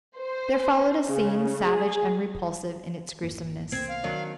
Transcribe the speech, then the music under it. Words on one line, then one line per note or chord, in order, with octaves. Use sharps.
There followed a scene savage and repulsive in its gruesomeness.
C5
C#3
G#4
G#1 F2 A#3
C2 A#3 C4 G#6
F5
D#3 F#3 D4